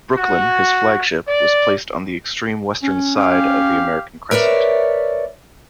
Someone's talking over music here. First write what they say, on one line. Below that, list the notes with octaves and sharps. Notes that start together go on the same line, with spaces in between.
"Brooklyn", his flagship, was placed on the extreme western side of the American crescent.
F#4
D5
C#4
C#4 G4 F5
A#4 B4 C#5 D5 E5